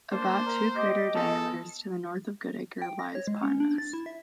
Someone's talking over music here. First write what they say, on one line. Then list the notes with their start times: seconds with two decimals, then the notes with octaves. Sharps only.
About two crater diameters to the north of Goodacre lies Pontanus.
0.12 A#3 D4 C5
0.46 A#4
0.76 G4 D#5
1.15 G#3 B3 A4 A5
2.82 G5
2.99 A#6
3.15 C#5
3.27 G#3
3.43 C#4
3.60 D4
3.78 A6
3.93 E4
4.06 E5